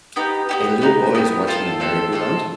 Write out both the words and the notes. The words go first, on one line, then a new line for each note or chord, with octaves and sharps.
A little boy is watching a merrygoround.
B3 D#4 G4
B3 D#4 G4
B3 D#4 G4
B3 D#4 G4
C4 F4 A4
C4 F4 A4
C4 F4 A4